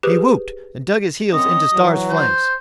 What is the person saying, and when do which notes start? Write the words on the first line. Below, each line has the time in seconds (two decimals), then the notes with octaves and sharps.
He whooped, and dug his heels into Star's flanks.
0.03 G4 G#4 B4 C5
1.33 F#2 C4 D#5
1.73 E3 F#3
2.10 C5